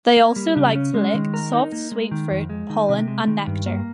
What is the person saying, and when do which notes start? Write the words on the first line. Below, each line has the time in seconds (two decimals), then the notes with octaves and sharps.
They also like to lick soft, sweet fruit, pollen and nectar.
0.17 A#3
0.36 G3
0.56 C#3
0.75 C#4
0.94 G#3
1.14 D#3
1.34 A#4
1.53 D#4
1.72 A#3
1.92 G#3
2.11 D#3
2.30 F2
2.50 G#3
2.70 D#3
2.89 C3
3.08 G#3
3.27 D#3
3.47 G2
3.66 A#3